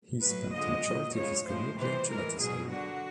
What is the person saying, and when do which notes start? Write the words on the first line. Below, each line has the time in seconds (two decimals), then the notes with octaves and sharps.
He spent majority of his career playing at Galatasaray.
0.23 A2 F#3 B4
0.54 D3 F3 G#3 D#5
0.85 A#2 F#3
1.15 C#3 F3 G#3 C#5
1.47 A2 F3 G#3 C5
1.78 C3 E3 G#3 C5
2.09 A2 E3 G#3 A#4
2.40 B2 F#3 G#4
2.71 D3 F#3 F#4